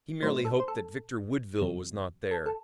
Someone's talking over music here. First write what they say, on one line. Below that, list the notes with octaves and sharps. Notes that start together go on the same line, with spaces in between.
He merely hoped that Victor Woodville was not there.
A2 F#3 A3 D#4 C5
A4
C5
A4
E2 C3 F#3
A4
A4